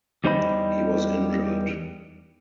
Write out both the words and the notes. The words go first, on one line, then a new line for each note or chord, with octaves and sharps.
He was injured.
E2 G3 D#4 C5 D#5 B5